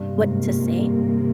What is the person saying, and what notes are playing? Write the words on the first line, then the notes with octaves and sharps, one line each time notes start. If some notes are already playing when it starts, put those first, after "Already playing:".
what to say,
Already playing: G2 C3 D#3 A#3
G#2
A#2
G2